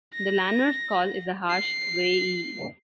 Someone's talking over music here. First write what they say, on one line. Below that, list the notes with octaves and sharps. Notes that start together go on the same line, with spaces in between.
The lanner's call is a harsh "wray-e".
A#6
C7